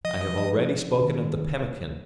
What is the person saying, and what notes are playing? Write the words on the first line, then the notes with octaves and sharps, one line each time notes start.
I have already spoken of the pemmican.
F3 D#5
F3
F3
C#4
D#3